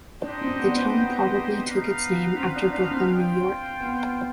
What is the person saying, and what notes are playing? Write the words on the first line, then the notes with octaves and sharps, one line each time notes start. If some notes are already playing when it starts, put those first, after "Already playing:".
The town probably took its name after Brooklyn, New York.
D4 D#4 G4 C5 D#5 G5
C4
B3
D4
C4
B3
D#4 B4 F5
C4
D4
D4
C4
F4 C5 G5
B3